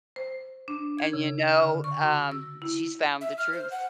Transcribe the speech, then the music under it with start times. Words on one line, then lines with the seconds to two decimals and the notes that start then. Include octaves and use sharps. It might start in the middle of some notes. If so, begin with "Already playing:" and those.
And, you know, um, she's found the truth.
0.16 C5
0.68 D4
0.99 G#6
1.13 C#3
1.59 D3
1.84 C#6
2.03 F#4
2.32 E6
2.62 E4
3.21 E5
3.38 F6
3.52 C5
3.71 F#5